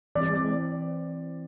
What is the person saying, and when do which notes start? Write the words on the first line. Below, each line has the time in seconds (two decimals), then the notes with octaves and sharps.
you know?
0.16 E3 C4 D5